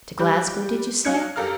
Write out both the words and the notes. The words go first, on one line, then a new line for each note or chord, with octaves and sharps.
To Glasgow, did you say?
G3 G4 B5 F#6
F#3 D#4 F5 F#6 G#6 C#7
F#2 G4 A4 A#4 F5 F6